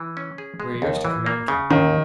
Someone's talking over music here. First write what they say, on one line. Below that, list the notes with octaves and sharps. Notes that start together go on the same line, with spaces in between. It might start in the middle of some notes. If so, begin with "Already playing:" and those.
"We're yours to command, captain."
Already playing: E3
C#4
G#4
G#3
D#2
E3
A#3
C#3
D#2 D#3